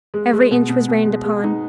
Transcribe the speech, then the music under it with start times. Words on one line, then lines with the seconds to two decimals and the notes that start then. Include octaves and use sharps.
Every inch was rained upon.
0.14 G#3
0.33 G#3
0.51 B2
0.69 B2
0.88 B2
1.06 G#3
1.25 G#3
1.44 D#4